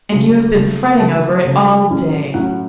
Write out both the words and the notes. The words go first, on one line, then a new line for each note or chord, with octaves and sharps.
'And you have been fretting over it all day.
C#3 F#3 A3
C#3 F#3 A3
C#3 F#3 A3 A5
C#3 F#3 A3
A2 F#3 C#4
A2 F#3 C#4 F#5